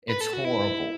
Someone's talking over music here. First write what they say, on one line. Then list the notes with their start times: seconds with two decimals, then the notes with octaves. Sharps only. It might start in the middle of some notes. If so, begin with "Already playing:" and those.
it's horrible.
0.09 B4
0.21 A4
0.33 F#4
0.45 E4